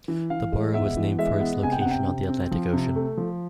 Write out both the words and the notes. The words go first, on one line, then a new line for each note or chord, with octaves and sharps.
The borough was named for its location on the Atlantic Ocean.
E3
E3 F5
G#3
B3 E5
E3
G#3 E5
B3
C3 G#5
G5
C3 F#5
G5
C3
C4
F3
C3
A3
F3